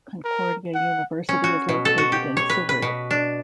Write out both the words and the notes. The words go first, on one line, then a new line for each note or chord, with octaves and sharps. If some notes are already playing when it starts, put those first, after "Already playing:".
Concordia University is located in Seward.
A#4
F#5
C#4
F#4
B2
A4
F#4
G4
C#5
B4
B4
B2
D4